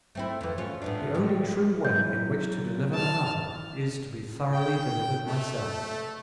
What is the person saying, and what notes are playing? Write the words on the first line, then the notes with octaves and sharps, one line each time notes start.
The only true way in which to deliver another is to be thoroughly delivered myself.
A3 C4 E4
F2 E3
C#4 F4 A4
A2 B3 D4
A2 G3
F#3 E4 G6
E4 A5 F6
G5
A3